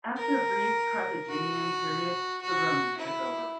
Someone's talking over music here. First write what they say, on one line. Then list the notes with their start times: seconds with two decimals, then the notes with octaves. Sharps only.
After a brief Carthaginian period, the Romans took over.
0.17 A#4
1.29 F#4
2.41 F#4
2.97 E4